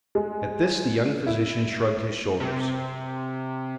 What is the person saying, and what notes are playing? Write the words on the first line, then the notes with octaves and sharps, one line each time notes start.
At this the young physician shrugged his shoulders.
G#3
E4
C3